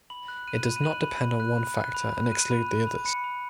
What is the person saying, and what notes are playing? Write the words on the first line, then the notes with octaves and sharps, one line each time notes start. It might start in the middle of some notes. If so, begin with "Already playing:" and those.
It does not depend on one factor and exclude the others.
B5 F#7
F#6
F#6 D#7
B5
D#7
F#6 F#7
B5
B5
F#6
B5
F#6
B5
F#6
F#6 D#7
B5
F#6
B5
B5 C#7
B5